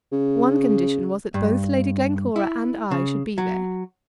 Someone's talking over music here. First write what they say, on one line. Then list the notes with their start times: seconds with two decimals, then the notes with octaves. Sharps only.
One condition was that both Lady Glencora and I should be there.
0.12 C#3
1.34 G2
2.36 E4
2.91 C#3
3.38 F#3